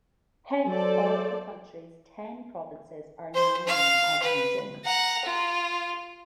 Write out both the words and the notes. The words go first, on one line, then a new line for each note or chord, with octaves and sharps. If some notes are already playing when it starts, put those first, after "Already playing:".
Hence, all of the country's ten provinces are now known as regions.
F#3 A4 C5 D5
C5
F5
B4
F#5 A#5
F4